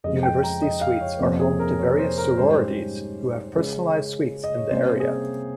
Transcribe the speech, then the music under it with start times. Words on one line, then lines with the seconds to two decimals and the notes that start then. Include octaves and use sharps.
University Suites are home to various sororities who have personalized suites in the area.
0.04 F2 C#3 F3 G#3 D#5
0.23 G5
0.43 A#5
0.62 D#5
0.81 F5
1.01 C#5
1.20 F2 C3 F3 A#3 C#4 C5
1.40 G#4
1.59 A#4
1.79 C#5
1.98 C5
2.18 A#4
2.37 G#2 G3 C#4 C5
3.54 C#3 G#3 C#4
4.44 D#5
4.56 C#5
4.71 C3 G3 A#3 C#4 C5
5.00 G#4